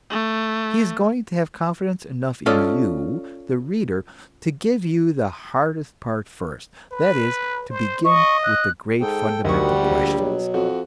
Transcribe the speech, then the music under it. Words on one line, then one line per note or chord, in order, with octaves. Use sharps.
He is going to have confidence enough in you, the reader, to give you the hardest part first; that is, to begin with the great fundamental questions.
A3
C#4 F4 A4 D5 D#5
B4
C5
D#5 C#6
F#6
G#2 A4 G5
D2 D#3 G3 F#4 F#5 C#6
A#1
B2 F#3
F2 F#4